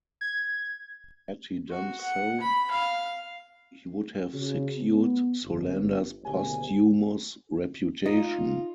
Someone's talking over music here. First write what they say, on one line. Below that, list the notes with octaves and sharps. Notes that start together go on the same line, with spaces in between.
Had he done so, he would have secured Solander's posthumous reputation.
G#6
F#4
F#5
B5
F5
C#3 F#4
B3
G1
F#1 D2 B2 G4 G#5
D#4 F4